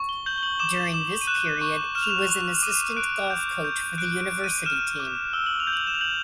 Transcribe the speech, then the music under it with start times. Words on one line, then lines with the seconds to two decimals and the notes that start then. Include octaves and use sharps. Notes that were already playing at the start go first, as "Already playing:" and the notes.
During this period he was an assistant golf coach for the university team.
Already playing: C#6
0.09 G7
0.26 G6 F#7
0.38 G7
0.43 F#7
0.60 D6 E7
0.94 D6 E7
1.21 D#7
1.27 F#6 E7
1.62 C#6
1.95 F6 E7
2.03 F7
2.11 E7
2.29 C#6
2.63 D6 D#7
2.97 F#6 D7
3.30 G6
3.65 G6
3.98 F#6 D7
4.20 D7
4.32 F#6
4.44 D#7
4.65 F6 E7
5.00 D6
5.33 E6 G7
5.46 F#7
5.60 F7
5.67 G6
5.73 F#7
5.87 E7
5.94 F7
6.01 G6 F#7